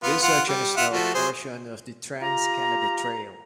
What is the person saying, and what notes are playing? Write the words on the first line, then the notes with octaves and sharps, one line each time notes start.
This section is now a portion of the Trans Canada Trail.
B3 F4
F4 F#5
G3
F4 E5 F#5
F3 A3 F#4
F#3 G#4 C5
F4 G4 A#5